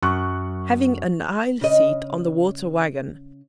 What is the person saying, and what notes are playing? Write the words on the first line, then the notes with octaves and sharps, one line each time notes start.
Having an aisle seat on the water wagon.
F#2 C#6 F#6
C#3 D#5